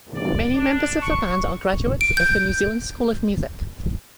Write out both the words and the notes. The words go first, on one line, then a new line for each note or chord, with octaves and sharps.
Many members of the band are graduates of the New Zealand School of Music.
D5
D4
C#6
D7
G6